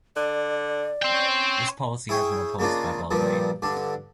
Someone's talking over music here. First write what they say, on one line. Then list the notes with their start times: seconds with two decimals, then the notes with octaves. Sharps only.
This policy has been opposed by Belgrade.
0.16 D3 D5
1.02 C5 G5
1.13 C#4
2.09 E4 G#4 C#5 G5
2.59 C#3 G#3 A#3 D4 F4
3.11 G2 A#2 F3 G3
3.62 G2 D3 D4